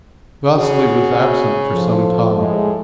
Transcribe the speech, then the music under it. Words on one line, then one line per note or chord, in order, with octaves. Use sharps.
Vasily was absent for some time.
C#3 F#4
F3 A4
A2 G#3